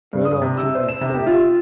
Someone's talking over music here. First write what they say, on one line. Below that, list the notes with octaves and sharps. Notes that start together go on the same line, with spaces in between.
Bernhard Junior said.
G2
D#6
C3
E6
C5
E7
C3
G4
F4